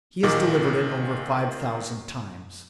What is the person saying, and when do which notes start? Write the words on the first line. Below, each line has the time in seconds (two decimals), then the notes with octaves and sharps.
He has delivered it over five thousand times.
0.23 A1 A#2 D#3 D6